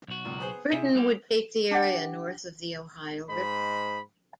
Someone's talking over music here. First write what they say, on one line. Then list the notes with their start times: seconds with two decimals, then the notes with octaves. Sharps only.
Britain would take the area north of the Ohio River.
0.08 B1 F#4
0.25 C#2 A#2
0.39 B3 G#4 C5
0.72 C3 E4 G#4 E5
0.95 G3 A#3 G4
1.71 D4 G4 F#5
3.29 G#2 C5 D#5 B5